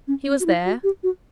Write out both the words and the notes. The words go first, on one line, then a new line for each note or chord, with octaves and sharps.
He was there?
C#4
C#4
F#4
E4
F#4
G4
F#4